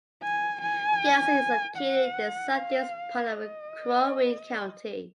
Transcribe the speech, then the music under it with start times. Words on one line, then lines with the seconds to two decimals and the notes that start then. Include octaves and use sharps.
Garrison is located in the southeast part of Crow Wing County.
0.23 G#5
0.61 G#5
1.77 F#5
2.54 F5
3.33 D#5